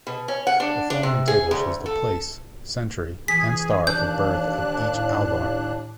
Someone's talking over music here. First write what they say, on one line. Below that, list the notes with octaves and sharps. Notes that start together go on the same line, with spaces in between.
The following table shows the place, century and star of birth of each Alvar.
B2
C#4
F#5
D4
D4
C3
G#4
D2
A4
E3 G#4 G#5 B6
D#2 D4 F#6 G6
A2